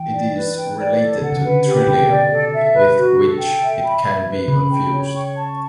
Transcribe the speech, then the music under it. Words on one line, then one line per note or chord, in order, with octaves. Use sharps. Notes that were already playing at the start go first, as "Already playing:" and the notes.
It is related to "Trillium", with which it can be confused.
Already playing: E3 G5
D5
B4
G5
D5
A4
D3 F#5
C#3
D3 B4
G4
B2 G5
D5
A4
E5
B4
F#4
A4
G5
E5
B5
E5
B4
C#3 B5
G5
C#5
C#6
A5